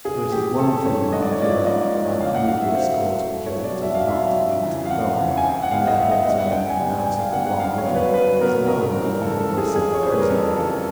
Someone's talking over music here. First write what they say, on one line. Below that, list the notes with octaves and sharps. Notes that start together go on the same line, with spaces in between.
For it is one thing when I give up my previous course because it does not lead to the goal, and therefore turn out of a wrong road; it is another when I yield myself a prisoner.
C#3 G#4
E3 A3 G4
C#3 A4
E3 A3 C#5
G#2 D#5
D5
C#5
F3 A#3 C#4 E4 D5
G#2 D#5
F3 A#3 C#4 E4
C#3 F5
F#5
F#3 A3 F5
E5
C#3 C5
F#3 A3
C2
C#5
B2 F#3
D5
C2 E5
F5
B2 F#3 E5
F2
C#3 E3
F5
F2 F#5
C#3 E3
G#5
D2 G5
F#5
D3 G3 B3 F5
D#5
D2 E5
D#5
D3 G3 B3 D#5
F#5
D2 G5
G#5
D3 G3 B3
G5
G#5
D2 G5
F5
D3 G3 B3 F#5
F#5
F#2 F5
C#5
D3 F#3 B3
B4
F#2 B4
D3 F#3 B3 A#4
C#3 A#4
E3 G3 C4
C#3 A4
A4
E3 G3 C4
G#4
F2 G#4
C#5
C#3 E3 G3 C5
B4
A#4
F2 A4
A4
C#3 E3 G3 A4
A4